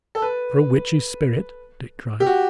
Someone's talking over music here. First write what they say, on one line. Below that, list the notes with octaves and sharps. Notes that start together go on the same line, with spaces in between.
"For a witch's spirit?" Dick cried.
A4
B4
G4
F#4